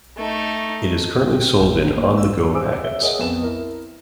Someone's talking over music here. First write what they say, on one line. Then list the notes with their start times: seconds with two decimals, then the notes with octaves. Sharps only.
It is currently sold in "On The Go" packets.
0.17 A3 D#4
1.30 G5
1.59 A1
1.96 A#3
2.18 E6
2.53 C4 G4 G#5 D6 E6 D7
2.83 C#5 E5 G7
3.02 G#4 A#4 C#5 D#5 E5 F#5
3.19 F2 B3 E7
3.43 E4 A#4